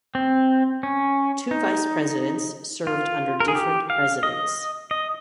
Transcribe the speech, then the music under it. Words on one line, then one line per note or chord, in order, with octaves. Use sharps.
Two vice presidents served under different presidents.
C4
C#4
D#4
F4
A#4
G#4
G4
F5
D#5
D#5